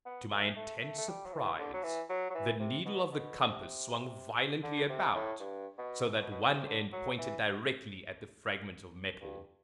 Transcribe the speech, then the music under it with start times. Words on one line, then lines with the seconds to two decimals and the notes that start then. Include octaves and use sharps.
To my intense surprise the needle of the compass swung violently about, so that one end pointed directly at the fragment of metal.
0.06 B3
0.31 A3
0.56 A3
0.82 A3
0.98 A3
1.08 G3
1.26 F#3
1.33 E3
1.59 D3
1.73 F#3
1.84 E3
2.09 F#3
2.30 F#3
2.35 E3
2.60 C3
2.86 B2
3.11 B2
3.40 D3
3.49 C3
4.63 D3
4.89 C3
5.15 A2
5.40 G2
5.78 B2
6.16 B2
6.31 B2
6.42 C3
6.60 C3
6.67 D3
6.92 F#3
7.18 E3
9.21 G2